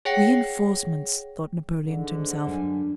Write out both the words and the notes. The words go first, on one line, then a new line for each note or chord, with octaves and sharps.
"Reinforcements!" thought Napoleon to himself.
G#4 C#5 F#5 G5 A#6 C#7
G#2 D3
F#2 G3 D4 G#5